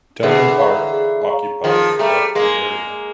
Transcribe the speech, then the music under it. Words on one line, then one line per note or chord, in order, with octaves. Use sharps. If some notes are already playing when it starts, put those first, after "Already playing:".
Dunham Park occupies of the area.
D3 E3 G#4
C#5 F5 A#5 C#6
G#4
C#5 F5 A#5 C#6
D#3 F3 G#4
G3 A3 C#5 F5 A#5 C#6
G#3 A#3 G#4